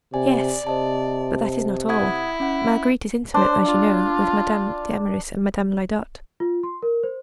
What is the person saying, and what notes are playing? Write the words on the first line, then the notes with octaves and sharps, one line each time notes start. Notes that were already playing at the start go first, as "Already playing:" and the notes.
"Yes, but that is not all: Marguerite is intimate, as you know, with Madame d'Eymeris and Madame Lyodot."
C3 D5 G#5
C3 C5 D#5 A5
E4 F#5 D#6 G#6
C#4 F#5
D4 C5
F4
F4
C6
A#4
C5